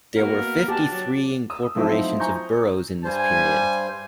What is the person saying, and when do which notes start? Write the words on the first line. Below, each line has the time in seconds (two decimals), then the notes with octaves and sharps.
There were fifty-three incorporations of boroughs in this period.
0.16 A#3 B3 F#4 A#4
0.68 D4 G4 G#5 A5
0.92 F#3
1.50 D#6 E6
1.75 F3 F#3 A3 C4 D#4 E4
2.20 C5 G#5 A#5 C#6 G6
3.05 G2 G3 C5 G#5